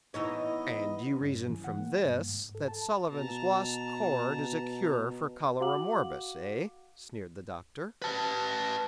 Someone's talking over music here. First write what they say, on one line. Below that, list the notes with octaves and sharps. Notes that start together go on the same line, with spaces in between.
"And you reason from this that Sullivan's 'Lost Chord' is a cure for cholera morbus, eh?" sneered the Doctor.
E3 B3 D#4 C#5 D#5
C#4
G2
E3
F#5
A#3
G2
G#2
A4
A5
B2 A5 A#5
F#4 F5 F#5 D6 F#7
B4 A5